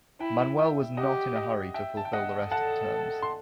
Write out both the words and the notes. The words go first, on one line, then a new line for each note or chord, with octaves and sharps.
Manuel was not in a hurry to fulfill the rest of the terms.
E4 G5 B5
E5 G5
G4 D#5 F#5
D#5
E5 G5
A5
G5
D#5 F#5
A4 F#5 A5
C6